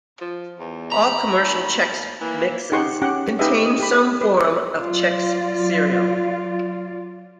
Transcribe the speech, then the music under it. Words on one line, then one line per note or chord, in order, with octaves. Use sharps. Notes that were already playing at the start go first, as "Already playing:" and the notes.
All commercial Chex mixes contain some form of Chex cereal.
F3
E2
A#5 B5
D#2
E3 A#3 E4
D#4 G4 G#4 F#5 C6 C#6
C#4 G4 F#5
D#4 G4 G#4 B4 D#5 E5
D#6
G4 B5
B4
F#3 F4 D5